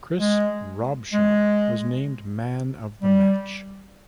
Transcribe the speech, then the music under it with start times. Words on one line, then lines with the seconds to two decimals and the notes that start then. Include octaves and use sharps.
Chris Robshaw was named man of the match.
0.18 G#3
1.13 G#3
3.02 G3